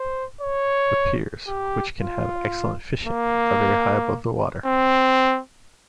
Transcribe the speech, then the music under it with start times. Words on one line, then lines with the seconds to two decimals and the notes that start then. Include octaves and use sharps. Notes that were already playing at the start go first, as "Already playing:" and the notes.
The piers, which can have excellent fishing, are very high above the water.
Already playing: C5
0.41 C#5
1.47 G4
2.01 F4
3.07 A#3
4.66 C4